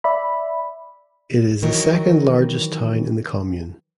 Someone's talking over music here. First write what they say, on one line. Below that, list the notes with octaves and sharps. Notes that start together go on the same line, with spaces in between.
It is the second largest town in the commune.
D5 E5 B5
D#3 E3 F#3 A#4